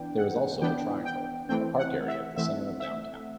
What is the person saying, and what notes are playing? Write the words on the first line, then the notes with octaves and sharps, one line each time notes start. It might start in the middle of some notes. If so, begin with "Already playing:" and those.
There is also "The Triangle" a park area at the center of downtown.
Already playing: E3 B3 D4 G5
F#5
E3 B3 D4 G5
G5
E3 A3 C4 G5
F#5
E5
E3 A3 C4 E5
E5